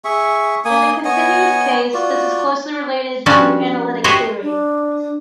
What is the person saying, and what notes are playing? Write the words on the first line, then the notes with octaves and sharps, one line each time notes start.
In the continuous case, this is closely related to analytic theory.
G#4 E5 C#6
A#3 G#5 D#6
B3 C#5 D#5 G#5
F4 F#4 D5
F3 G3 C#4 D4 F#4
F#4 G4 C5 C#5 D#5 E5
D4